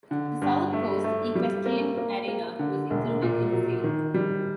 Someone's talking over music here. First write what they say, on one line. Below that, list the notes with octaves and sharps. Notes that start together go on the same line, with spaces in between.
The South Coast Equestrian Arena was included in the sale.
D3
G2
A3
A3
G3
A#3
A#3
A#3
D3
E1
A#2
F#3
D#3
G3